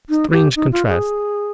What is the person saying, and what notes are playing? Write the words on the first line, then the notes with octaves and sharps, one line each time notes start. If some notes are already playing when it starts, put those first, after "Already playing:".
Strange contrast!
D#4
G4
D#4
F4
G#4